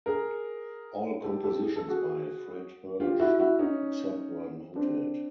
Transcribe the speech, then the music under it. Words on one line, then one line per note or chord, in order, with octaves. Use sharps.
All compositions by Fred Hersch except where noted.
G#4 A#4
G4 A4
G4 A4
G#4
A4
F#4 G#4
F4 G4
E4 F#4
E4 F#4
C#4 D#4
C4 D4